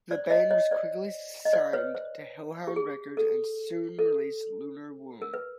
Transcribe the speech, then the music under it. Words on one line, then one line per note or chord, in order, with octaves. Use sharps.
The band was quickly signed to Hellhound Records and soon released Lunar Womb.
C5 D5
C#5 D#5
C#5 D#5
C5 D5
D#5
C5 D5
B4 C#5
C5
G4
G#4
A4
A4
A#4
B4